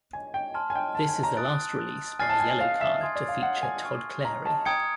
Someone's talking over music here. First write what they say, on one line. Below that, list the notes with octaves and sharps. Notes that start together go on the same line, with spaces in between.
This is the last release by Yellowcard to feature Todd Clary.
G#5
G5
G#5 A5 C6 F6
G#5
G5
A5
G#5
A#5
D#6 F#6 A6 D7
G#5 F6 A6 C7
A5
G#5
G#5
F5
E5
G#5 C6 D#6 G#6
D5
F5
F#5
G#5
G#5 C#6 F6
A#5
A5
G5 A#5 D#6 G#6 C#7